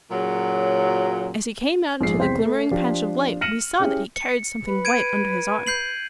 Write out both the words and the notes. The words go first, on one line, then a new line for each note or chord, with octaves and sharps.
As he came out into the glimmering patch of light, we saw that he carried something white under his arm.
A#2 C#3 F#3
A#1 G#2 C7
E2 C3 C5 G5 B6
A3
F3 D4 F4 G4
F6 A#6 C#7 D#7 E7 F#7
C#4 E4 G4 G#4
C#7
B4
G#6 D7 D#7
G6 C7 F#7